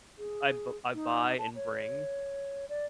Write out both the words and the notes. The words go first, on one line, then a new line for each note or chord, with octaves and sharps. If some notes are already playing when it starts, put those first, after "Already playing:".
I b I buy and bring
G#4
D#4
A5
C#5
D5